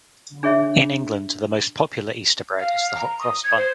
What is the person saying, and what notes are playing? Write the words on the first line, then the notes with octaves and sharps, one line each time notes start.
In England the most popular Easter bread is the hot cross bun.
D4 G#4 C#5 E5
F5
A#5
D#6
G#6
C5